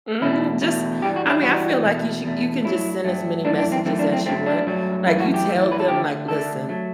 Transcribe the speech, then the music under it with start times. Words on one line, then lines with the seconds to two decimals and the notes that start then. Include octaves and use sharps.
Mhm. Just, I mean, I feel like you should you can just send as many messages as you want. Like, you tell them, like, "Listen,
0.21 E2 B2 A3 E4
0.62 E2 B2 A3
1.02 G2 E3 G3 G4
1.16 F#4
1.25 D4
1.30 E4
1.43 G2 E3 G3 F#4
1.83 E2 B2 A3
2.24 E2 B2 A3
2.64 G2 F#3 A3 E4
3.04 G2 F#3 A3
3.45 F#2 E3 A3 D4
3.58 D4
3.72 C4
3.85 F#2 E3 A3 C4
3.99 D4
4.13 C4
4.26 G2 F#3 A3 C4
4.46 D4
4.66 G2 F#3 A3
5.06 F#2 E3 A3 E4
5.20 F#4
5.34 G4
5.47 F#2 E3 A3
5.72 B4
5.80 A4
5.87 D2 D3 A3 G4
6.28 D2 D3 A3 A4
6.69 F#3 A3